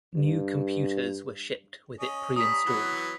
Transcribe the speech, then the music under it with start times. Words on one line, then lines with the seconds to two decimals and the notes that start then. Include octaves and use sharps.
New computers were shipped with it pre-installed.
0.16 G2
2.00 C#4 D#5
2.36 G3 C#4 A#5 D#6 B6
2.66 E3 F#3 B3